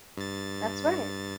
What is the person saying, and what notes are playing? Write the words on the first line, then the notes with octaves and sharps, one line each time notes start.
That's right.
G2 A6